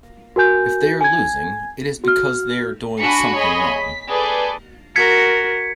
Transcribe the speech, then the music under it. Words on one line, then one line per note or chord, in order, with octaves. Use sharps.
If they are losing, it is because they're doing something wrong.
F#4 A#4 G#5 G6
G#5 G#6
F#4 F6
D4 F#4 G#5 B5 C#7
G#4 C#5 D#5 B5
B6
G#4 A4 B4 D5 G6
F#4 A#4 G#6 B6 C#7